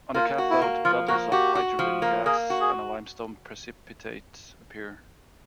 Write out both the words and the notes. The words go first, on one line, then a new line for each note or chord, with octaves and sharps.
On the cathode, bubbles of hydrogen gas and a limestone precipitate appear.
A#3 F4
F#4
E4
A#3
F3 F4
A#3 F#4
F#4 G4
F#4
F3
A#3
A#3 G#4
F#4
G#4